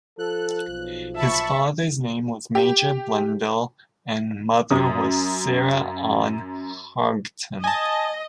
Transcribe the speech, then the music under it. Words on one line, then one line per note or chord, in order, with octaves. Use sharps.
His father's name was Major Blundell and mother was Sarah Ann Haighton.
F3 A4 F#6
B1
E5 A5 B5 C#6
G4
F#2 D#6
D#5 G#5 A5